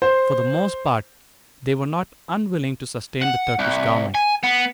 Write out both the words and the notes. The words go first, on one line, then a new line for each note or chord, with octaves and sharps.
For the most part, they were not unwilling to sustain the Turkish Government.
C5
F#5
C2
G#5
B3